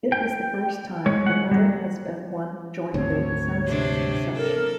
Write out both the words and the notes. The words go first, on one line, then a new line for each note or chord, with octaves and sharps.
It was the first time the medal has been won jointly since its inception.
G5
G#3 C#5
G#3 F#5
F#3 G3
D2 G#2 C4 C#5
C3 D4
A4 A#4